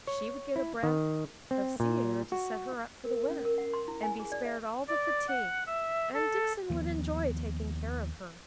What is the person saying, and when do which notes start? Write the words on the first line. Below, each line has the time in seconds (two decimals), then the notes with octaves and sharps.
She would get a breath of sea air to set her up for the winter, and be spared all the fatigue, and Dixon would enjoy taking care of her.'
0.07 C#5
0.56 E4
0.83 D#3
1.51 C4
1.80 A#2
2.32 F#4
3.05 A#4
3.17 A#4
3.30 C#4
3.45 A#4
3.58 F#5
3.74 C6
3.88 E4
4.03 G#5
4.20 G#4
4.32 D5
4.45 E5
4.88 D5
5.28 F#5
5.67 E5
6.14 A4
6.70 D#2 F3 F#3 B3